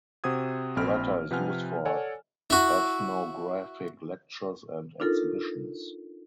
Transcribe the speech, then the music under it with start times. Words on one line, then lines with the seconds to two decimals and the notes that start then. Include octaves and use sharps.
The latter is used for ethnographic lectures and exhibitions.
0.24 C3 F#4 C5 F#5 D#6 G#6
0.76 A#1 C4 B5 F6 D7
1.31 C3 F3 B4 F#5 G#5 F6
1.85 A4 C#5 D5 F#5 G#5
2.50 E4 F#4
5.00 D4 D#4 F4 A4 A#4